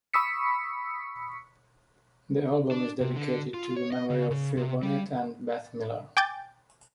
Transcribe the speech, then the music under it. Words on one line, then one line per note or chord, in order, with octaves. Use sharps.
The album is dedicated to the memory of Phil Bonnet and Beth Miller.
B5 C#6 D#6 E6 B6 C#7
D4
C3
D3
F4
C#5
D#5
C#3
C#3
C3
G3
G5 G#5 D6 G6 A6